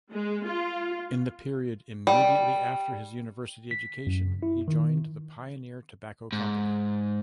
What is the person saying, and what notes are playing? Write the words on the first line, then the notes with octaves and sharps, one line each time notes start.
In the period immediately after his university education he joined the Pioneer Tobacco Company.
G#3
F4
G3
B6
F#2
E4
D#3
G#2